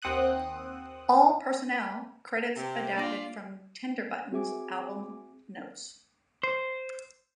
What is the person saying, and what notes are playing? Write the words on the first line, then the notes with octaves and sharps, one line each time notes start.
All personnel credits adapted from "Tender Buttons" album notes.
D#2 C4 F#5 D#6 F#6 D#7
C3
A#3 D4 F4 D5 A#6
C4 F#4 G#4 E5 G#5 D6
C5